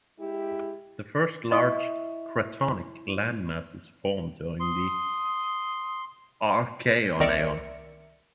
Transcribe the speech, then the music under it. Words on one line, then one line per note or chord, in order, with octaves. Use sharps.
The first large cratonic landmasses formed during the Archean eon.
G#3 E4 G4
E4 D#5 C#6 D#6
C6 D#6
C2 D#3 A#4 D5 E5 C#7